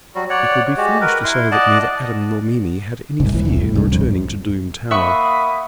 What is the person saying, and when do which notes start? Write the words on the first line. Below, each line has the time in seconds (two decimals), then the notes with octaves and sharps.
It would be foolish to say that neither Adam nor Mimi had any fear in returning to Doom Tower.
0.15 F#3 G3 F#4
0.30 C#5 D5 F#5
0.77 G#3 F#4 G4
1.01 A#4 B4
1.24 E4 C6
1.52 D5 D#5 F#5 A5
3.20 F#1 C2 G#2
3.32 A#1 E3
3.45 E1 C2
3.61 A2
3.75 C2 G2
3.90 D1 F2
4.91 A#3 E5 F#5 B5 C#6 D#6